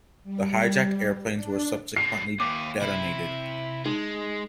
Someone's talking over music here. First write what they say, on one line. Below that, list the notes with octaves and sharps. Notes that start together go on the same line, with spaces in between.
The hijacked airplanes were subsequently detonated.
G3
D4
B2 D3 C7
D#2 E5 G#5 D6
C3 E4
G#3 D#4